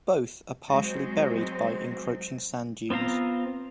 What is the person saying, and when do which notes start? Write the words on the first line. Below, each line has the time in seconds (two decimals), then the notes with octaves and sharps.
Both are partially buried by encroaching sand dunes.
0.69 F#3 G#3 C4 C5
2.90 B3 C4 F4 F5 A#5